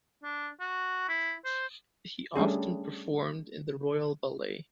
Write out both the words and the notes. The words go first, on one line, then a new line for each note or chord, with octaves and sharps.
He often performed in the royal ballet.
D4
F#4
E4
C5
G3 A3 C#4 D4 G#4